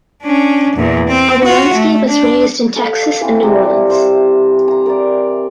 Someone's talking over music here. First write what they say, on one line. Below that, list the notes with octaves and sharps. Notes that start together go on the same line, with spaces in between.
Obolensky was raised in Texas and New Orleans.
C#4 D4
E2 A#2
C4
F4 F#4
A3
D4
A4 F5
E3 C4
C3 G3
C5
A#5
A#4 D5